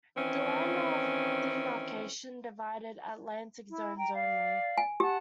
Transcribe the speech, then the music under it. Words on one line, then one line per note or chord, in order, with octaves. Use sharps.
The line of demarcation divided Atlantic zones only.
D#3 E3 C4 C#4
E4
G5 A#5
D5 F5
G#5
G4 F#5 A5